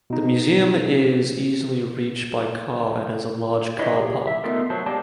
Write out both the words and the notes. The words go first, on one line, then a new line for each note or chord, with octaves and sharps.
The museum is easily reached by car and has a large car park.
B2 D#4
D4 E4 B4 C#5 D#5 E5
G4 G#4
E5
A3 B3 D#4 F4 A4 A#4
F#3 C5 A5
G#3 A#3 G4 D5 A5